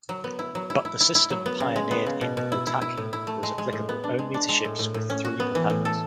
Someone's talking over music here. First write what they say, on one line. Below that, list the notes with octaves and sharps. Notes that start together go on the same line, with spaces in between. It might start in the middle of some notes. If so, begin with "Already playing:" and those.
But the system pioneered in "Otaki" was applicable only to ships with three propellers.
F#3
B3
E4
F#3
E4
E4
E4
E4
F#3
B3
C#3
G#3
B3
C#3
B2
B2
E4
E4
E4
A2
E4
A3
G#3
G#3
A2
B3
D4
G#3
D4
G#3
A2
A2
A2
C#4
F#4
B3
E3
A2
A4